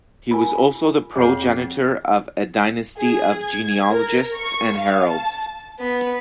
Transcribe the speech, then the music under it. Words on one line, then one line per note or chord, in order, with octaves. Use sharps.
He was also the progenitor of a dynasty of genealogists and heralds.
F4 A#4 G#5
F4
F2 G#4 C#5 F#5
G#4
G#6
A#4
C#6
F5
A5
B3